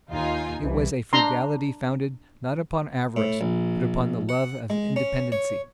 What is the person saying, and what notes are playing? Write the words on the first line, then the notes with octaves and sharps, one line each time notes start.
It was a frugality founded not upon avarice, but upon the love of independency.
D#2 D#4 F4 G#5
C2 E3
D4 A#5 C6
A2
A#1
F#5
G#3
C#4
C#5